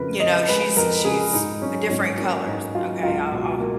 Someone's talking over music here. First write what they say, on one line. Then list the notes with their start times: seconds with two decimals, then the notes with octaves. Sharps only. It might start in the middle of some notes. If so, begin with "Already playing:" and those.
You know, she's she's different colors, okay, I'll I'll
Already playing: F2 C#3 A#4 B4
0.20 F2 D#5
0.49 G#3 B4
0.77 F2 A#4
1.05 C#3 G#4
1.33 G#2 D#4
1.62 F#3 C#4
1.90 G#2 C#4
2.18 A#3 C#4
2.46 G#2 D#4
2.75 F#3 F4
3.03 C#2 F4
3.31 B2
3.60 A#3